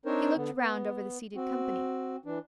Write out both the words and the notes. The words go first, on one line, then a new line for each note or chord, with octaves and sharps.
He looked round over the seated company.
C4 D4 D#4 A#4 C5 C#5
D3 B3
B3
C4 F#4
E3 D4